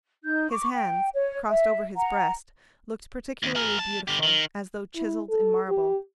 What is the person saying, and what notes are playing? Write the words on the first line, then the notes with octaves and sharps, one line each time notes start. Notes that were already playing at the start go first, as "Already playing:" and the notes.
His hands, crossed over his breast, looked particularly beautiful, as though chiseled in marble.
D#4 G6
C#6 D6
G5
C#5
E5
F#5 A#5
D#2
G#4 A#4
E2 A5
D3 G4
D#3
E4
A4
G4